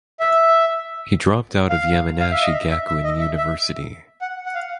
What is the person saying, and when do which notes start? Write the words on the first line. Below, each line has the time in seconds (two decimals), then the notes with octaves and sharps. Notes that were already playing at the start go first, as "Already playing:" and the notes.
He dropped out of Yamanashi Gakuin University.
0.20 E5
1.70 F5
2.20 F5
2.31 E5
2.42 D#5
2.53 E5
2.70 E5
2.88 E5
3.04 D#5
3.20 E5
3.38 E5
4.21 F#5
4.46 F#5
4.55 F5